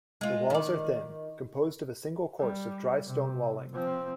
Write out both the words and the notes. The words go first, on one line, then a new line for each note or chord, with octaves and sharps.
The walls are thin, composed of a single course of dry stone walling.
G#3 F4
D#3 D5
G3
C3
F3 C4